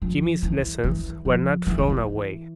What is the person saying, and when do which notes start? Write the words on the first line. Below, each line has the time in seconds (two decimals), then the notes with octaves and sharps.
Jimmy's lessons were not thrown away.
0.02 F3
0.43 E3
0.84 E3
1.25 F3
1.66 E3
1.78 D#3
1.90 E3